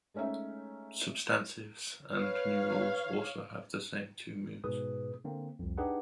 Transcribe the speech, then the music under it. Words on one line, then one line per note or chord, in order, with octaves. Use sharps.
Substantives and numerals also have the same two moods.
G#3 A3 C#4 D#4 E5
B4 C#5 F5
G#2 B2 G#4 B4 D#6
D3 A#3 C4
C2 F2
D4 D#4 G4 G#4 B4 F#5